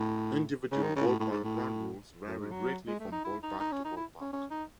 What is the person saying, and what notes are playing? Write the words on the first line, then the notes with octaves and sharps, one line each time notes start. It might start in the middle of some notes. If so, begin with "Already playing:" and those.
Individual ballpark ground rules vary greatly from ballpark to ballpark.
Already playing: A2
C#3
D#3
C#3
A2
A2
G#2
A2
F#2
G#2
F#3
G#3
A3
D#4
E4
D#4
D#4
C#4
D#4
E4
C#4
C#4
D#4